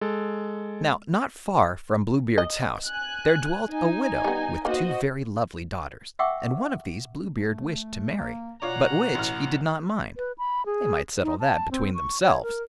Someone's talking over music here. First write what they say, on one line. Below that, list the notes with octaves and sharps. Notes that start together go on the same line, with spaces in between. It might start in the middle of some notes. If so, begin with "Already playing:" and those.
Now, not far from Bluebeard's house there dwelt a widow with two very lovely daughters, and one of these Bluebeard wished to marry, but which he did not mind, they might settle that between themselves.
G#3 A4
D#5
G#5 F#6
D#4 G#5
G3 B3
A#3 B3 D#4 F#4 C5 D#5
E5 F#5 G5 C#6 D6 E6
A3
A#3
B2 F4 C#5 D5 F#5 A#5
A1 A2 F6
B4
B5
G#4
D#4
A5
C4
C#6
C#5
A#4